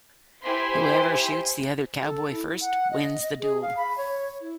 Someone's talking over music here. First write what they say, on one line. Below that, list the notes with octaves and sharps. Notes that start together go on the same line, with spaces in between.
Whoever shoots the other cowboy first wins the duel.
E4 G4 C5 G#5 B5 C6
A4
E4
F#5
D#5
G#4
F5
B5
C#5
E4